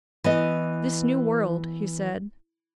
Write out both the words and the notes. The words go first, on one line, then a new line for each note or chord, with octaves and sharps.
"This new world," he said.
E3 B3 D#5